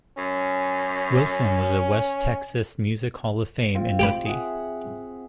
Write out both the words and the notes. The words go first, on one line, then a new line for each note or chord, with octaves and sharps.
Wilson was a West Texas Music Hall Of Fame Inductee.
F#2 C#4
C4 F4
G4 G5 B5
G#4 E5 F#5